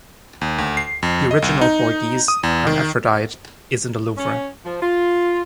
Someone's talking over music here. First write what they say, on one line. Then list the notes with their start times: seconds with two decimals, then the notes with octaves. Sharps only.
The original Borghese Hermaphrodite is in the Louvre.
0.41 D#2
0.58 D2
0.77 C7
1.03 F2
1.31 D#5
1.42 C2
1.61 D#4
2.28 D#6
2.43 E2
2.67 D#3
4.17 C#4
4.64 F3
4.80 F4